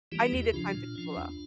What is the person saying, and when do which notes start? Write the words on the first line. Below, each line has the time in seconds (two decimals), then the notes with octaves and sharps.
I needed time to cool off.
0.12 E3 G3 A#3 E4 G4
0.32 E2 E4 G4
0.53 C#3 F3 D4 F4
0.75 A#2
0.95 F3 C#4
1.16 E2